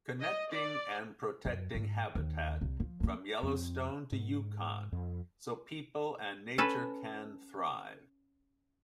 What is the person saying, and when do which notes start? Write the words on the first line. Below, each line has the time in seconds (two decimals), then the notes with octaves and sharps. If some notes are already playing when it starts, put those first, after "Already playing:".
Connecting and protecting habitat from Yellowstone to Yukon so people and nature can thrive.
0.20 D#5
0.51 D5
1.45 F#2
1.75 G#2
2.15 D#2
2.61 C2
2.80 F3
3.00 F3 A#3
3.43 F2 C4
4.12 G#2
4.92 F2
6.58 C#4 A4 B4